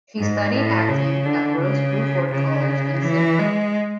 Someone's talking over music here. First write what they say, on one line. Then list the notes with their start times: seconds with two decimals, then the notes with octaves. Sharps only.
She studied acting at Rose Bruford College in Sidcup.
0.19 G#2
0.54 A2
0.89 C#3
1.25 D3
1.60 C#3
2.32 C#3
3.03 E3
3.39 G#3